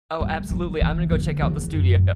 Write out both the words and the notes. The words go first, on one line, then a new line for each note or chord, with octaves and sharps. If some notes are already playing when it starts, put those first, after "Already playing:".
Oh, absolutely, I'm gonna go check out The Studio.
G3
F#3
E3
D3
E2
F#2
A2